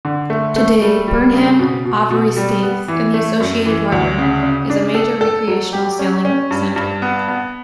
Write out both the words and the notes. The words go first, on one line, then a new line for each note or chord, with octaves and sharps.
Today Burnham Overy Staithe, and the associated harbour, is a major recreational sailing centre.
D3
A3
A3
G3
G3
C#3
B2
B2
B2
G3
B3
E3
A3
F#2
E3
D2
C#3
C#3
D4
A4
A4
F#3
G4
C#4
C#4
G2
G2
B3
B3